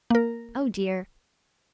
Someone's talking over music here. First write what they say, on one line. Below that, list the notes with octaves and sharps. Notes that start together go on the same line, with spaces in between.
Oh dear!
A#3 A#4